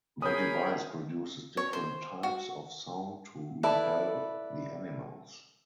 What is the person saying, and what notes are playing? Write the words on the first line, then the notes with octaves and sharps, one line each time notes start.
The device produces different types of sound to repel the animals.
G#4 A#4 C#5 B5 D#6 G6
C#5
C5
F#4
E4 A4 B4 D5